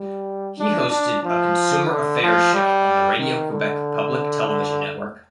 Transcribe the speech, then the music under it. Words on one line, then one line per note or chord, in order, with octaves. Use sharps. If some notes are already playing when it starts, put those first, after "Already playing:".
He hosted a consumer affairs show on the Radio-Quebec public television network.
Already playing: G3
D4
D4
F3
D3
F3
G3
D#3
D3